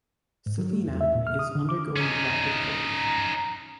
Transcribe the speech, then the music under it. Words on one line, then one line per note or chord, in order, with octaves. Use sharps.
Celina is undergoing rapid growth.
G#2
F#3
A3
E2
E5
A#2
F6
D#6
D3
D6
C#4 D#4